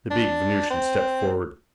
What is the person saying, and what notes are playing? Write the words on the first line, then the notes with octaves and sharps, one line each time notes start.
The big Venusian stepped forward.
D4
C4